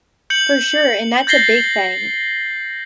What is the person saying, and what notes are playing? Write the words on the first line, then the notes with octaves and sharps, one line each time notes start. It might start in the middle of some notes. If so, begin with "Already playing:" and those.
For sure, and that's a big thing.
G6 C#7 F#7
G6 A6 A#6 C7 G7